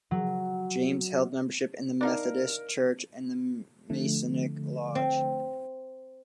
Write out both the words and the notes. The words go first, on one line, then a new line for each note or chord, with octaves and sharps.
James held membership in the Methodist Church and the Masonic Lodge.
F#3
D4 D#4 A#4 F5
D3 F3 A3
C4